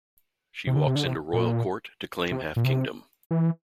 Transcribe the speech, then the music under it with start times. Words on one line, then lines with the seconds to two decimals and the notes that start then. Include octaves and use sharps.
She walks into royal court, to claim half kingdom.
0.67 C3
0.76 D3
0.87 C3
0.96 D3
1.06 C3
1.33 A#2
2.32 C3
2.56 A#2
2.65 C3
3.31 E3